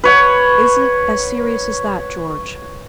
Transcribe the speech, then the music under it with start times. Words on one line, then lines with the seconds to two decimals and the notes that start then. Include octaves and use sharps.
"Is it as serious as that, George?"
0.04 B4 C#5 F#5